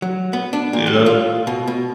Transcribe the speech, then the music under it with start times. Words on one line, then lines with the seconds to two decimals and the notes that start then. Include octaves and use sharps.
You know?
0.02 F#3
0.33 B3
0.53 D4
0.73 A#2
0.86 G3
1.06 F4
1.47 B2
1.67 B2